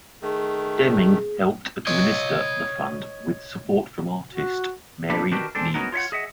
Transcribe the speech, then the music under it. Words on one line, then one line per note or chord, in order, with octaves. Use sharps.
Deming helped administer the Fund, with support from artist Mary Meigs.
D#3 A3 G#4
C#5 D#5
F#4
D3 A3 A#3 D4 G4 B4
D#3 D4 F#4 G4 A#4 B4
G#3 C4 D4 A4
B3 C#4 D#4 F#4 A#4
F4 C#5 E5 F#5
G#4 D#5 E5 F#5